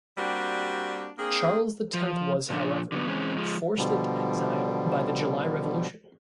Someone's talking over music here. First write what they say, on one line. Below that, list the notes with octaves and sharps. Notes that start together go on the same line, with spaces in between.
Charles the Tenth was, however, forced into exile by the July Revolution.
G3 A#3 C4 D4 F#4 G4
A#3 C4 D4 G#4
F3
A#2 F3 D4
D3 F#3 B3
E3 G#3 C4 C#4
F3 G#3
B2 D3 F3 G3